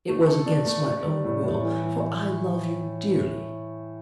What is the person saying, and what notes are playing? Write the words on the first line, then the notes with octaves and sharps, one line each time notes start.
It was against my own will, for I love you dearly.
A3
A4
D4
A3
D4
G3
A2
A2
E3
E3